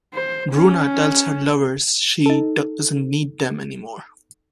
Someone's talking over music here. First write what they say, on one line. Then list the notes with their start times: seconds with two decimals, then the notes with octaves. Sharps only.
Bruna tells her lovers she doesn't need them anymore.
0.14 C5
0.52 C#4
2.26 D#4 A4